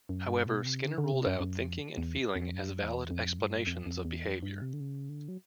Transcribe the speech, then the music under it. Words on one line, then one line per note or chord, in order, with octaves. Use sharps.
However, Skinner ruled out thinking and feeling as valid "explanations" of behavior.
F#2
G2
B2
C3
D3
D3
C3
F#2
F#2
F2
E2
F2
F#2
E2
F2
G2
F2
F2
E2
F2
G2
C3
D3
C#3
D3
F#3